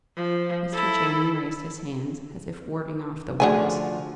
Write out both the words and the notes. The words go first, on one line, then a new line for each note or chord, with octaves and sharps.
Mr. Channing raised his hands, as if warding off the words.
F3
E4 A4
D3 F3 A3 F#4 G#4 G#5